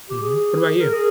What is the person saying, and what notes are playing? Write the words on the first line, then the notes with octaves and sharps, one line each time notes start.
Mhm. What about you?
G4
G#4
A#4
G#4